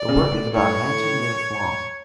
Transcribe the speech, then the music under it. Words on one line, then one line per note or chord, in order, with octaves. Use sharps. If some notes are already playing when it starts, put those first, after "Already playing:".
The work is about nineteen minutes long.
Already playing: D5
C#3
A2
A2 C#5